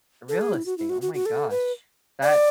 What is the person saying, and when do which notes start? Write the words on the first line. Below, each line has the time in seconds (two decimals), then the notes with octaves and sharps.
real estate, oh my gosh, that
0.29 A4
0.41 G#4
0.54 E4
0.66 F#4
0.78 E4
0.90 F#4
1.02 F#4
1.14 F#4
1.26 A4
1.50 B4
2.23 D5